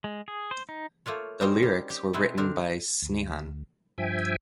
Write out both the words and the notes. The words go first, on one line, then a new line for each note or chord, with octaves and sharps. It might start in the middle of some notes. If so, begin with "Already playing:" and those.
The lyrics were written by Snehan.
G#3
G#4
C5
D#4
A3 A#3 F4 C#5
G3 C4 C#4 D#4 A#4 C5
G3
G4
B2 B3 C4 E4 G#4
D3 C4 D4 A#4
D2
G2 F3 E5 G5 G#5